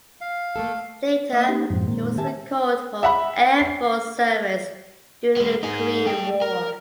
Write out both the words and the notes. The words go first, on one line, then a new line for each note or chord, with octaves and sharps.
Later, he was recalled for Air Force service during the Korean War.
F5
A3 A#3 A4
A#3 D#5 E5
A#3 C4 C#4 D#4 G4
F#2 A2 F3 G#3 C4
A#2 D#3 G#3 A#3 C4
G4 E5 G#5 A5
E5 F#5 B5
C7
G#3 B3
D#4 G#4
A3 G5
A#4